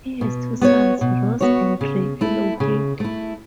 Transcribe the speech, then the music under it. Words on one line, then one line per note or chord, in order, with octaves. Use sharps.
He has two sons, Ross and Drake Lawhead.
B2
B3 F#4 C#5
B2
B3 F#4 C#5
C#3
A3 E4
C#3
A3 E4